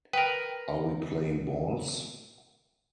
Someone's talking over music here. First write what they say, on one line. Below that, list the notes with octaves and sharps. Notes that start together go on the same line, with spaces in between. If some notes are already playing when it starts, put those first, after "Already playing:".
Are we playing balls?
A#4 B4 G5